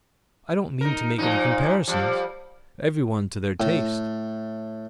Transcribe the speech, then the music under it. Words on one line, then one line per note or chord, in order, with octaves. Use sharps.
I don't mean to make any comparisons; every one to their taste.
D#4 A#4
A#2 F3 D#4
F3 G3
A2